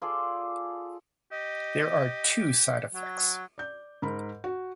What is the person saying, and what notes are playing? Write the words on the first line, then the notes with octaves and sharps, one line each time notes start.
There are two side effects.
F4 G#4 A4 D5
G4 D#5
F#3
D5 G6
G#2 A#4 B5
F#4